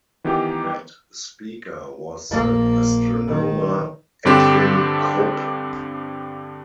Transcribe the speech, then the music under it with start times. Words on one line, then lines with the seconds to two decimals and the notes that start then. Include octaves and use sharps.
That speaker was the astronomer Edwin Krupp.
0.24 D#3 E3 B3 D#4 G4
2.30 A#1 A#3
3.27 D#3
4.25 G2 D3 C4 D4 G4